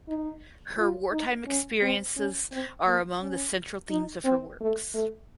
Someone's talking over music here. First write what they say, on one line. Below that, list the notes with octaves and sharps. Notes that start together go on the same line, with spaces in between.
Her wartime experiences are among the central themes of her works.
D#4
F4
D#4
C#4
C4
C#4
C4
A#3
C#4
D#4
C4
A3
A3